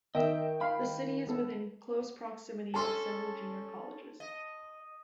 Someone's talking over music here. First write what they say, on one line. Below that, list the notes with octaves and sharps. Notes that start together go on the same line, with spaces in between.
The city is within close proximity of several junior colleges.
D#3 D#5 E5 G5
F5 B5
B3 A4
C#4 A4 A5 C6
D#5